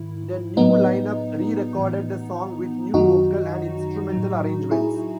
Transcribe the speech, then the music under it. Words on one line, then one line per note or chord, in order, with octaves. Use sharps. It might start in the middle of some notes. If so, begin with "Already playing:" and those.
The new line-up re-recorded the song with new vocal and instrumental arrangements.
Already playing: G#2 D#3 E4
A2 F#3 B3 D#4
A2 E3
F#2 D#3 F#3 D#4 F#4
A2 F#3
E4 G#4